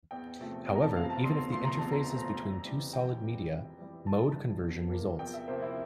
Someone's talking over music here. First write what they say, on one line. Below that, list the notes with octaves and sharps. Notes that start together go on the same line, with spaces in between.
However, even if the interface is between two solid media, mode conversion results.
E2 G5
C3 F3 A3 C4
E2
A#5
A5
C3 F3 A3 C4 F5
A5
E2 C6
C3 F3 A3 C4 C6
A#5
E2 A5
A#5
C3 F3 A3 C4
F2
E3 G3
F2 G5
E3 G3
F2
E3 G3
F2 A5
E3 G3
E2
C3 F3 A#3
E2 G5
E5
C3 F3 A#3 C5
E4